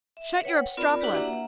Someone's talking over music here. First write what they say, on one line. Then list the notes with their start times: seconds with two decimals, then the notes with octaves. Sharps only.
Shut your obstropolos.
0.17 E5
0.44 B4 C#5 F#5 G5
0.77 C4 F4 A#4 D5 B5
1.00 D4 E4 F#4 G4 B4 D5
1.15 A#3 E5 F#5 A#5